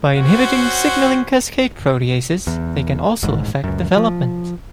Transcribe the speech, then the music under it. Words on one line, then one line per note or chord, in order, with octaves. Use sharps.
By inhibiting signalling cascade proteases, they can also affect development.
C4 C#4 F#4 C5 F#5
E2
D#1 A1 G#2
C#2 F#2
F3